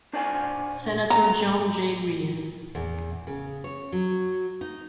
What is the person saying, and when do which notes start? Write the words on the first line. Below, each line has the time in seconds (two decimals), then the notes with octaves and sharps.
Senator John J. Williams.
0.13 D4 C5 D5 F#5 G#5
1.10 A#5
2.75 E2
3.27 C#3
3.64 C#5
3.92 F#3
4.61 D#4